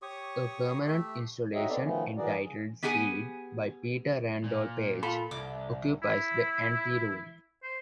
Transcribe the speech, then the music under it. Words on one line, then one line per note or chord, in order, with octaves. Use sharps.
A permanent installation entitled "Seed", by Peter Randall-Page, occupies the anteroom.
G4 C#5 C#6 D#6
A3 G4 E5
D#4 F#4 G4 C#5 D#5 E5
B3 C4 A4 C#5 D5
B2 D#3 F3 A3 B3 C#4
A2 E3 F#4 G#4 A#4 D5
C#3 G#4
B3 G4 G#4 F#5 G#5
A#2
F4 A4 B5
C2 D6
E4
C5